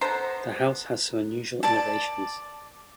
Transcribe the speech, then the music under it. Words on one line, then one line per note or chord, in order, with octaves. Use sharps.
The house has some unusual innovations.
B3 A4 C5 A#5
D5 A5